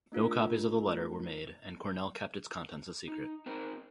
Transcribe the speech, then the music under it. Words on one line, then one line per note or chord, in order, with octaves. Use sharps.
No copies of the letter were made, and Cornell kept its contents a secret.
A3 D4 F4 A#4
D#4
C4 D#4 A#4 C5 A#5